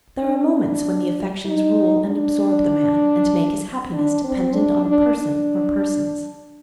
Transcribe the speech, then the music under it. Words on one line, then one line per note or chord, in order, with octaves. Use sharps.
There are moments when the affections rule and absorb the man and make his happiness dependent on a person or persons.
D4
D#4
D4
D4
C4
D4
D4
D4